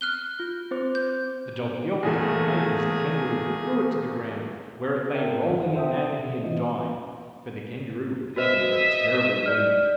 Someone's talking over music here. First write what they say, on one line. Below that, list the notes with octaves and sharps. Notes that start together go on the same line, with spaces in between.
The dog yelped in pain as the Kangaroo threw it to the ground, where it lay rolling in agony and dying; for the Kangaroo had given it a terrible wound.
F6 F#6 G7
F4
C4 C5 D6
G6
E2 A#2 A3 G#4
A4 A#4 E5 G5
G#1 F#2 D#3 F#5
A4 C5 E5 G5 D#6
B2
E3 C#4 F4 D#5
F#4 B4 C5 D#5 E5
D5 F6